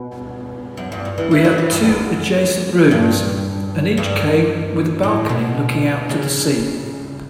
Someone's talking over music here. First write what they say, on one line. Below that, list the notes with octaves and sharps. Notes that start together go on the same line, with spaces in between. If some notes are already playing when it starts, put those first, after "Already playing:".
We had two adjacent rooms, and each came with a balcony looking out to the sea.
Already playing: B2
F#2
G2
G2
E3
E3
F#3
E3
G2
F#2
G2
G2
A2
B2
C#3